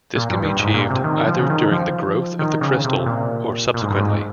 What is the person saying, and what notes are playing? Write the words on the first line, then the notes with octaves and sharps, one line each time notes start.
This can be achieved either during the growth of the crystal, or subsequently.
A#2
G2
G2
G#2
A#2
C3
D#3
F3
C#3
D#3
F3
D#3
C#3
C3
A#2
A#2
G#2
G2
G#2